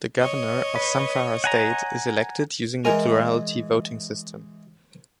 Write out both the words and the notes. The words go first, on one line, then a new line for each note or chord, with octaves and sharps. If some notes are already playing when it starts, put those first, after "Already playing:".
The Governor of Zamfara State is elected using the plurality voting system.
C#5 D#5
B4
F#5 G#5 A#5
E3 G#3 A#4 G#5